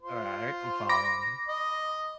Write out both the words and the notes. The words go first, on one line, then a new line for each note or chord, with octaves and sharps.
All right, I'm following you.
F4 C5
B5 D6 A#6
D#5